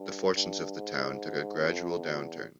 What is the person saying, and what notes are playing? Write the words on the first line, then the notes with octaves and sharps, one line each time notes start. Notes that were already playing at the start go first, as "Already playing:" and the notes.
The fortunes of the town took a gradual downturn.
Already playing: G2
G2
G#2
F2
E2